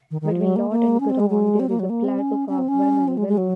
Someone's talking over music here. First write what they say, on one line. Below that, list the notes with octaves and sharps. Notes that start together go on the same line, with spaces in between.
Between Lot and Garonne, there is a plateau carved by many valleys.
D#3
D#3
F3
F#3
A#3
A#3
C#4
C4
G#3
G#3
C4
A#3
F#3
A#3
C4
C#4
C#4
C4
C#4
C4
G#3
G#3
F#3